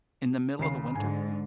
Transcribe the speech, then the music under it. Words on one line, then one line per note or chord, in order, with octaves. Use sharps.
in the middle of the winter,
D#2 C#3 C7
G#2 D3 G#5